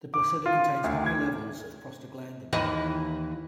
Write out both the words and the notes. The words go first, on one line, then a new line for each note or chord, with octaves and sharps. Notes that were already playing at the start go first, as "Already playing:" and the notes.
The placenta contains high levels of prostaglandin.
D6
F4
D2
G#6
D#2 E3 D#5